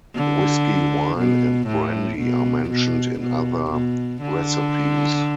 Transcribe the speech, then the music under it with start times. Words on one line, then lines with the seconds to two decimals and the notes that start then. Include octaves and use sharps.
Whisky, Wine, and Brandy are mentioned in other recipes.
0.16 D3
1.18 B2
1.67 A2
2.18 B2
2.69 B2
3.20 B2
3.70 B2
4.22 D3